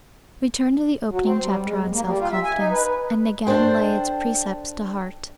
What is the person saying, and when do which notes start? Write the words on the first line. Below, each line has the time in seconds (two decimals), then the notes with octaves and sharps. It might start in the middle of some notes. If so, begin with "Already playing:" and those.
Return to the opening chapter, on self-confidence, and again lay its precepts to heart.
1.09 F#3
1.24 C4
1.41 G3
1.64 G#3
1.79 E2
1.92 A#3
2.04 G3
2.19 F4
2.32 E5
2.44 G#5
2.57 D#4
2.71 B4
3.47 D4 A4 C5 G5